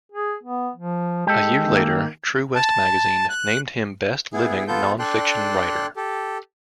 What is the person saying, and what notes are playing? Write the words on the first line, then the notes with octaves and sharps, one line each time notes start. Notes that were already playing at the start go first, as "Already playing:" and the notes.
A year later, "True West Magazine" named him "Best Living Non-fiction Writer".
G#4
B3
F3
G#3 G4 A4
D#3 A#3
A5
F#6
B3 E4 G#4
B3 F4 A4 G6
D4 A4 D5 G5 C6 F#6
G4 A4